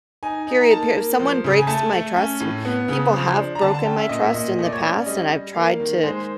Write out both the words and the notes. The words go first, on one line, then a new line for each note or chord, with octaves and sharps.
Period, per if someone breaks my trust, and people have broken my trust in the past, and I've tried to
D#4 G#5
D#4
A#5
A#3 A5
A#3
F3
C#3
G#5
A3 A5
A3
C#4
A2
B3
C#3
F3
D4
A#5
D3 A5
A5
C#4 G5
E5
A#2 D#5
E5
A#2 D#5
A3 D#5
D5
C#5
C#4 D5
G3 D#5
G3
A#3 F5
D#3
G#3 C5